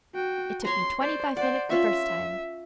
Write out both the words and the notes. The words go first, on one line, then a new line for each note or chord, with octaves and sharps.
It took me twenty-five minutes the first time.
F#4 G5
C#5 A#5 C6
C5 D5
C5 D5 F#5
C#4 F4 E5 C#6